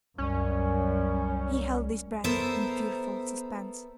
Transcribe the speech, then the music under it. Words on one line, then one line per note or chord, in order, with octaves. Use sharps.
He held his breath in fearful suspense.
C2 F#2 G3 C#4
B3 A4 A#4 C5 E5